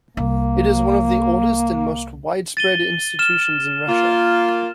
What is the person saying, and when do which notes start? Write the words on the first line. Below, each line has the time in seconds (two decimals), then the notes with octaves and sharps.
It is one of the oldest and most widespread institutions in Russia.
0.17 C2 A#3
2.57 A6 D#7 G7
3.19 F6 E7
3.88 A#3 F4